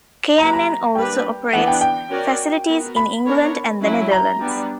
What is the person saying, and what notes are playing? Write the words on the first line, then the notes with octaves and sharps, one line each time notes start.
K and N also operates facilities in England and the Netherlands.
F#3 A#3 E4 G4 B4 A#5
A#5
G3 A#3 D4 G4 B4 G5
E3 B3 D4 F#5
G5
G5
C#4 F#4 A#4 D5
B3 F#4 A#4
B5
B3 D4 A#4 C#5
F#3 C#4 E4
A#5
G3 B3 D4